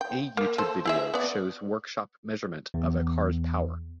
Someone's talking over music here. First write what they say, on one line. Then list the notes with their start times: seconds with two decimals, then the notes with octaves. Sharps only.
A YouTube video shows workshop measurement of a car's power.
0.01 G5
0.37 A#3
0.58 A3 A4 C5
0.85 E4 G#4 E5
1.14 B3 D5
2.74 E2